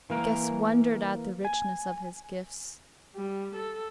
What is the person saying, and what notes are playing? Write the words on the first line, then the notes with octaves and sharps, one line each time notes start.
The guests wondered at the richness of his gifts.
E3 A#3 A#4
G#5
G3
A4